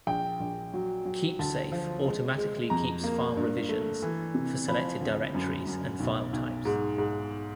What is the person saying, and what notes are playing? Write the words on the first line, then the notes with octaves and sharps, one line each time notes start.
KeepSafe automatically keeps file revisions for selected directories and file types.
A#1 G5
A#1
F#3
F#3
D2 A5
F3
G#3
G#3
F2 A#5
A#3
G2
A3
E3
C3
F3 B5
D2
F#2
F#2
B1
B1
G#2
G#2